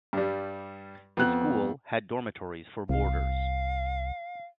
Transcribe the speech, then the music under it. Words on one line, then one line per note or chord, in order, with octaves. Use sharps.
The school had dormitories for boarders.
G2 G3
F2 B3 F#6
C2 F5